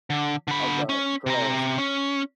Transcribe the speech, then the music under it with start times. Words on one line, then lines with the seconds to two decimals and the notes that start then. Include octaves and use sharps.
of the girls.
0.10 D3
0.48 D3 B5
0.89 C#4
1.26 C3 A#5
1.78 C#4